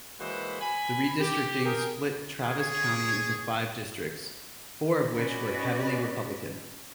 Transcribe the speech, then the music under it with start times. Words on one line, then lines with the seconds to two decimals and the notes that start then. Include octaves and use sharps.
The redistricting split Travis County into five districts, four of which were heavily Republican.
0.19 E3 G#3 A#3 F#4 B4 C5
0.61 G#5 B5
1.20 G4
1.65 G#4 A#4 G5
2.42 G#4 C#5
5.15 C#4 F#4 B4 D5 D#5